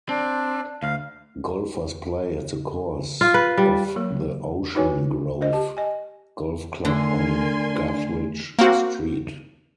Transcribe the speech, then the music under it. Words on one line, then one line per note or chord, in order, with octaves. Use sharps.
Golfers play at the course of the Ocean Grove Golf Club on Guthridge Street.
C4 D4
D2 F5
F4
B4
G3
F#3 A#3 A#4
D#4 E4 F#4 B4 C#5 G#5
A#4 C5 D#5
G4 A5
D#5 G#5
D3 A3 D4 A#4 G#5 C6
A#3 C4 F#4